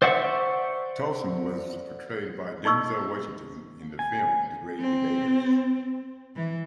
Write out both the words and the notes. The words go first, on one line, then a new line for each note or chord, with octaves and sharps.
Tolson was portrayed by Denzel Washington in the film "The Great Debaters".
C5 D5 E5 F#5 C#6
D#4 D#5 C#6 E6
G#5
C4
E3